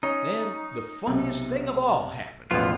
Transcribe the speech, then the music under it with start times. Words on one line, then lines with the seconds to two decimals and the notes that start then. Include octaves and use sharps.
Then the funniest thing of all happened.
0.03 C#4 D#4 C#5
1.07 B1 C3
2.51 E1 A1 F3 B3 F4